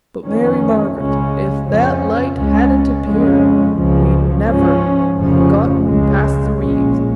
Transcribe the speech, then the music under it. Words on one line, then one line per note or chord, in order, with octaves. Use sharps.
But, Mary Margaret, if that light hadn't appeared, we'd never have got in past the reefs.
F2 D#3 C#4
C#2 C#3 G#3 C#4
F2 C#3 F3 C#4
C#2 C#3 G#3 C#4
F2 C#3 G#3 C#4
C#2 C#3 F3
G#2 F3 C#4
F1 F2 C#3 F3 C#4
C#2 C#3 G#3
A#1 A#2 G#3 C#4